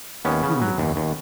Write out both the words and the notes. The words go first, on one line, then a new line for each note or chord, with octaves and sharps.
"What wounded man?"
D#2 B3 C#4
C#3
F#3
D#2
D#2